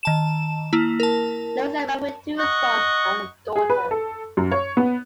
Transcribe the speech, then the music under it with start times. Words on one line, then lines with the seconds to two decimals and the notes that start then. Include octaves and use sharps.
Low is married with two sons and a daughter.
0.03 D#3 A5 E7
0.73 A#3 E4
1.00 A#4 A5
2.39 D#5 F#5 C#6
3.56 G#4
3.70 B4
3.91 A4
4.37 F#2
4.52 C#5
4.77 B3